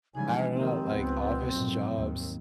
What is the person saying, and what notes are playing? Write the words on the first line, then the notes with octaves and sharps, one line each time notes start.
I dunno. Like, office jobs
C#3 E3 F3 G3 G#3 D#4 G#5
D#3 A#3 C4 D#4 G4
C#2 B3
A#1 F2 G#2 B2 F#3
D#2